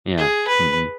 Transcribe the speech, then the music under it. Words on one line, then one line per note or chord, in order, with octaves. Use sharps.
Yeah, mhm.
G#4
B4